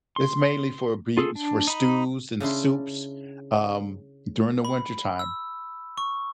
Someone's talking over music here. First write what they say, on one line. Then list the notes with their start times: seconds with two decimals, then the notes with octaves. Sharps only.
is mainly for bee is for stews and soups, um, during the wintertime.
0.16 C6
1.17 F4 G#4 A4
1.35 D4
1.67 D#4 B5
2.40 C#3 D4 E4 C6
4.65 B5
5.19 E6
5.98 C#6